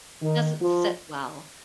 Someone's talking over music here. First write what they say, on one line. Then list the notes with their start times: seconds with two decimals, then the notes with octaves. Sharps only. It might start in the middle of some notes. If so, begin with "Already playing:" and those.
doesn't sit well,
0.21 D#3
0.60 F3